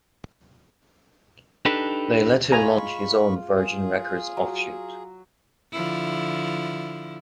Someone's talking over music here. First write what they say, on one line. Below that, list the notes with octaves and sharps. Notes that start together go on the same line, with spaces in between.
They let him launch his own Virgin Records offshoot.
D4 D#4 G4 A4 B4
G#3 F4 F5 G#5 A#5 B5 C#6
G#4
F#3
D3 F3 E4